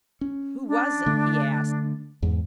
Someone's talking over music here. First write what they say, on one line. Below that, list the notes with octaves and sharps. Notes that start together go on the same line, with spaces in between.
"Who was it?" he asked.
C#4
D4
D3 A3
E2 G#2